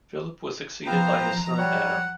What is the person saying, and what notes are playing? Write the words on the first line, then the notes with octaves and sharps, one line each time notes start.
Philip was succeeded by his son Adam.
F3 B3 C4 F4 C5 A#5
G3 C#5 F#5